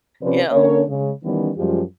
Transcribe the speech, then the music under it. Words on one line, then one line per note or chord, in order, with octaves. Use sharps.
you know?
C3 F3 C#4 B4 C5 D5
D3 A#3 C#4 A#4 C#5
C#3 G#3
D#3 E3 G3 B3 C#4
F#2 F3 G3 G#3 F4 G4